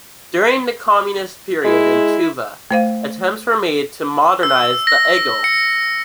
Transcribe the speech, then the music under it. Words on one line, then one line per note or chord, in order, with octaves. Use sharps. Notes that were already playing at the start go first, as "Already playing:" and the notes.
During the communist period in Tuva attempts were made to "modernize" the igil.
G#3 E4
A3 C5 F5
E6
A#6
C#7